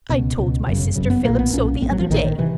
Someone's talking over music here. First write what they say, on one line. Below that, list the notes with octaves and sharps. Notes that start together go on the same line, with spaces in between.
I told my sister Phillips so the other day.
C#2 B2
C#2 B2
G1 F#2 C#3
G1 F#2 C#3
B3
B1 A#2 A#3
B3
B1 A#2 C#4
A#1 A2 C4
F#3
F3
A#1 A2 D#3
D#3
C3 E3